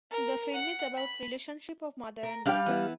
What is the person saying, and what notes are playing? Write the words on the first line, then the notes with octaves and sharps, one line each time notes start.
The film is about relationship of mother and daughter.
A#4
F#5
B5
A#4
G3 D4 G4 F5 G5
E3 B3 E4